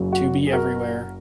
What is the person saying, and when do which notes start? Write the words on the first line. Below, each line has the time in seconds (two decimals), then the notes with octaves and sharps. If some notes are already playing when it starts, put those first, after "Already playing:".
To be everywhere.
Already playing: F#1 F#2 C#3 F#3
0.13 F#4
0.47 G#4
0.53 F#4 A#4